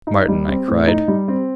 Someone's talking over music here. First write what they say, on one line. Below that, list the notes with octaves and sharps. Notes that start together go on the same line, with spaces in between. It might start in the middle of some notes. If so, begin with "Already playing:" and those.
"Martin," I cried.
D#4
G3
C4
A2
D#4
G3
C4